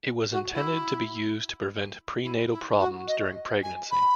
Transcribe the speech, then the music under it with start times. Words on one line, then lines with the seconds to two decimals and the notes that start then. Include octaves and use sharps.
It was intended to be used to prevent prenatal problems during pregnancy.
0.32 F#4
0.53 E4
2.23 E4
2.51 E4
2.79 F#4
3.07 D#5
3.63 G#5
3.91 B5